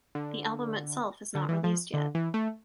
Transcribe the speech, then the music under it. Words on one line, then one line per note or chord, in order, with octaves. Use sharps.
The album itself is not released yet.
D3
D3
E3
F3
D3
E3
A3